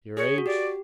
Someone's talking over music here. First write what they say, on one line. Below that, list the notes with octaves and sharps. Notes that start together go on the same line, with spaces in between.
"Your age?"
G#4 C#5
F#4
G4 D5